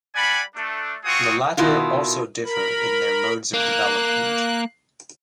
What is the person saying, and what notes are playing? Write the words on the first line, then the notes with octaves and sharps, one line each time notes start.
The latter also differ in their modes of development.
G3 D5 F#5 G#5 B5
A3 D4
C4 F4 F#4 G#4 C#6 D#6
B2 D#3 E4 F4
A#4 B5
A#3 F#6